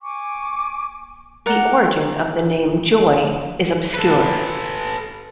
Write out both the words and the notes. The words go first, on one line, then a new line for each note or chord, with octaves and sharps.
The origin of the name "Joy" is obscure.
G#5 C#6 D6
A#4 D5 F#5
A4 B4